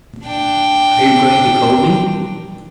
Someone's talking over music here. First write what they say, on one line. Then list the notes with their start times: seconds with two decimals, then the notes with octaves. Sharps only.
Are you going to call me?
0.25 D4 G5